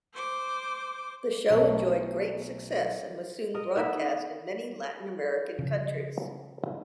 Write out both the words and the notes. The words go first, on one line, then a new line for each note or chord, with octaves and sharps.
The show enjoyed great success and was soon broadcast in many Latin American countries.
C5 D6
B1 A3
A#4 D#5
B3 D#4 A4 E5
C#3 F3